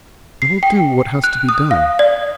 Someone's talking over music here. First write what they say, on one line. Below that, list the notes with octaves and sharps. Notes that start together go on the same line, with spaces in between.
"I will do what has to be done."
C7
G5
F#6
D#6
F5
D5